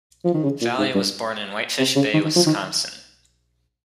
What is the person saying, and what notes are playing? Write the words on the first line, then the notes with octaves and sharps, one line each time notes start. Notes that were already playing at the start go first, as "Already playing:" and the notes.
Valley was born in Whitefish Bay, Wisconsin.
F3
D#3
C#3
A#2
G#2
G2
C3
C#3
D#3
D#3
F3
D#3